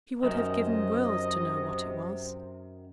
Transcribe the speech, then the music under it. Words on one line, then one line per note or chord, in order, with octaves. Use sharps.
She would have given worlds to know what it was.
F#2 C3 D#3 D#5